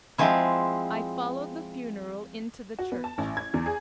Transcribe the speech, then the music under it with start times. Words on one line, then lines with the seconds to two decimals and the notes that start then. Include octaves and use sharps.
I followed the funeral into the church.
0.18 F3 G#3 C4 E4
2.79 F#4
2.92 B3
3.04 A5
3.18 A1
3.37 G#6
3.54 E2
3.66 G#4